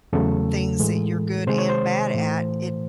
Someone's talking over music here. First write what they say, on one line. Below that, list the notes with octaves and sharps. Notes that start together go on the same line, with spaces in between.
things that you're good and bad at it
E2 C#3 F#3 A3 A4
A2 E3 G#3
C3 D#3 G#3 C5
C#5
C5
A2 E3 A3